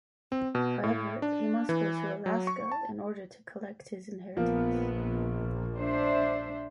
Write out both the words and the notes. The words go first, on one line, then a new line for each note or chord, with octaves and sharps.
However, he must go to Alaska in order to collect his inheritance.
C4
B2
A2
D4
E3
F#3
C#6
A5
A#1 F3 A#3 B3
D4 C5 E5